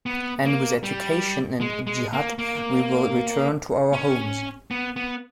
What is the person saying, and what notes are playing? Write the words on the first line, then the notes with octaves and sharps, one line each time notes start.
And with education and Jihad we will return to our homes!
B3
A#3
G3
G#3
G#3
A#3
A#3
C#4
B3
B3